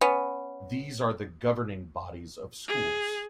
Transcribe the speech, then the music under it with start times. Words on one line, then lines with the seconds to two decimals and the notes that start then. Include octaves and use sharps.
These are the governing bodies of schools.
0.01 B3 C#4
2.67 G#4